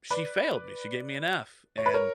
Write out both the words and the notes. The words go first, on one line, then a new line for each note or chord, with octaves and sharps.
She failed me, she gave me an F, and,
B4 D5
C#5
B4
A#4 C#5